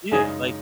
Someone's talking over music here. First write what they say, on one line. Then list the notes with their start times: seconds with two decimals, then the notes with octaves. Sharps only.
Yeah, like
0.12 F#2 C#3 G#3 D#4 G#4